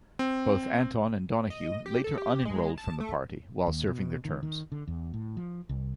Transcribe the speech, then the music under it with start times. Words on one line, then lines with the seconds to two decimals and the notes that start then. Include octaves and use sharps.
Both Anton and Donoghue later unenrolled from the party while serving their terms.
0.19 C4
1.50 D#5
1.86 G4
2.04 A4
2.18 G4
2.45 G#3
2.78 A5
3.00 A3
3.67 D#2
3.87 B2
4.25 D#3
4.43 D#3
4.72 D3
4.88 E2
5.14 A2
5.37 F3
5.69 C2